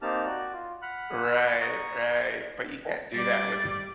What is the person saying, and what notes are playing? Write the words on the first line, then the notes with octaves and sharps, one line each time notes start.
Right, right, but you can't do that with
A#3 C4 D#4 G4 A5 F6
F#4 D5
F4
F#5 B5 F6 F#6
A#5 C#6 D#6
G3 D5 A6